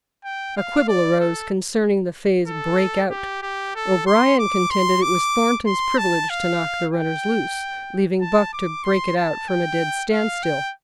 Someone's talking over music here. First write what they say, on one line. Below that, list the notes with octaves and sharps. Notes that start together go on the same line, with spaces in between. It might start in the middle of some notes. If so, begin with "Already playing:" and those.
A quibble arose concerning the phrase "break out." O'Brien contended it was Thornton's privilege to knock the runners loose, leaving Buck to "break it out" from a dead standstill.
G5
F5
D5
A4
A4
G4
G4
A4
C6
D6
C6
D6
C6
A5
F5
G5
A5
D6
C6
A5
G5
F5
G5